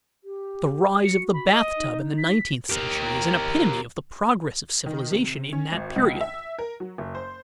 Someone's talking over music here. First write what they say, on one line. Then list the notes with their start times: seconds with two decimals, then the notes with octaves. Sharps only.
The rise of the bath-tub in the nineteenth century is an epitome of the progress of civilization in that period.
0.24 G4
1.05 F#4 C#7
1.33 B5
1.52 D#5
1.77 D#4
2.18 B6
2.70 G4 A#4
4.86 D#3
5.12 C3
5.53 C#4
5.72 G#1
5.96 C#2
6.21 E5
6.59 A#4
6.80 F#3
6.98 F#1
7.15 C5